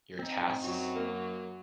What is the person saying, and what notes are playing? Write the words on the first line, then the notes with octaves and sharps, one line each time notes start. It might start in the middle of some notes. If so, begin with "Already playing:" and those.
your tasks.
C4 D#4
F#2 F#3
A#3